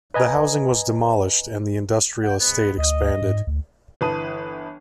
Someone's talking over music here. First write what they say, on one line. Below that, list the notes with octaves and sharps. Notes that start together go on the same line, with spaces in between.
The housing was demolished and the industrial estate expanded.
B4 D#5 G#5 A#5
F#5 G5
G#2 B3
D2 D#5
G#2
D2
G1 E3 B4 A5 D#6 D#7